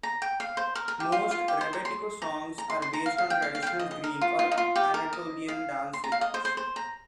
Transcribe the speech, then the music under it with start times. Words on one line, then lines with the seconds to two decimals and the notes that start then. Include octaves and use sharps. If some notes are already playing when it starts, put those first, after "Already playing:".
Most rebetiko songs are based on traditional Greek or Anatolian dance rhythms.
0.03 A#5
0.22 G5
0.40 F5
0.57 C5
0.75 A#4
0.88 A#4
1.00 G4
1.12 F4
1.31 F4
1.48 G4
1.61 C5
1.73 A#5
1.85 C6
2.22 A#5
2.58 A#5
2.70 C6
2.82 C6
2.93 A#5
3.06 F5
3.18 F5
3.30 G5
3.42 F5
3.55 F5
3.62 G5
3.67 F5
3.79 D#5
3.91 D#5
4.04 A#4
4.21 F4
4.39 F4
4.52 D#4
4.58 F4
4.76 G4
4.94 A#4
5.13 D#5
5.48 F5
5.93 C6
6.04 A#5
6.12 F5
6.21 D#5
6.34 C5
6.45 C5
6.57 C5
6.76 A#5